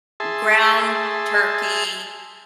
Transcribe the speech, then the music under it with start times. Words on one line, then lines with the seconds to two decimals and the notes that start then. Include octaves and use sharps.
m ground turkey,
0.20 G#4 E5 A5 C6